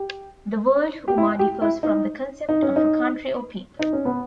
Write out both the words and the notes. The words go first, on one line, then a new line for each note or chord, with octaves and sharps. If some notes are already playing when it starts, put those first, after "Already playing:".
The Word "Ummah" differs from the concept of a country or people.
Already playing: G4
G4
E4
G4
E4
D#4
D#4
C#4
D#4
D#4
C#4
B3